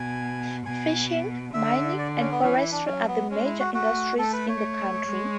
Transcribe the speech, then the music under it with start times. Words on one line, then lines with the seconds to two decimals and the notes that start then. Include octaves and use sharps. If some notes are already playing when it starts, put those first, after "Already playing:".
Fishing, mining and forestry are the major industries in the county.
Already playing: B2 G#5
0.66 B2 G#5
1.54 D3 E5
1.98 D5
2.20 C#4
2.31 B3
2.41 E3 C#4
2.57 E4
2.72 D4
2.86 F#3 C#4
3.08 B3
3.30 G#3 C#4
3.45 E4
3.59 F#4
3.74 A3 F#4
4.19 A3 A4
4.33 B4
4.48 C#5
5.07 G#3